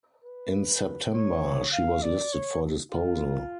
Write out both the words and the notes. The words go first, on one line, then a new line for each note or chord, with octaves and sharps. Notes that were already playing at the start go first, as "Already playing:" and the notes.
In September she was listed for disposal.
B4
C#5
F5
D5
C#5
F4